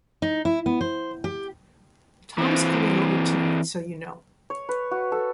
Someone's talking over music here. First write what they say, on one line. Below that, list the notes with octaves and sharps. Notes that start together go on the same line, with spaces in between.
Tom's coming over tonight, so you know.
D#4
E4
B3
C5
G4
E3 C4
C#5
B4
F#4
A4